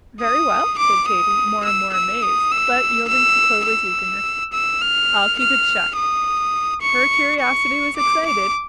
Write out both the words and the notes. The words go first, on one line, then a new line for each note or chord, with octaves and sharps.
"Very well," said Katy, more and more amazed, but yielding to Clover's eagerness, "I'll keep it shut." Her curiosity was excited.
D#6
D6
D#6
E6
E6
D#6
E6
E6
E6
E6
F6
F6
D#6
C#6
C#6
D6
D6